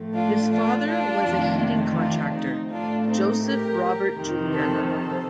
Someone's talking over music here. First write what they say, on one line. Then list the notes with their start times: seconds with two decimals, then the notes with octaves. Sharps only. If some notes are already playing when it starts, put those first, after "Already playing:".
His father was a heating contractor, Joseph Robert Juliana.
Already playing: A2 F3 A3
0.13 D4 F4
0.49 D4 F4
0.86 D4 F4
1.23 F2 C3 D#3 A3
1.96 D4 F4
2.33 C4 D#4
2.69 A2 A3 D4 F4
3.06 C4 D#4
3.43 G4 A#4
4.17 F2 C3 D#3
4.53 A4 C5
4.90 A4 C5